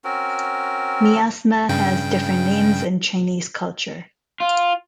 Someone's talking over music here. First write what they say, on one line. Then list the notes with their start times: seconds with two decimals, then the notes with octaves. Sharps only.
Miasma has different names in Chinese culture.
0.04 C4 C#4 F#4 A#4
1.69 G2 C#3 G5
4.40 F4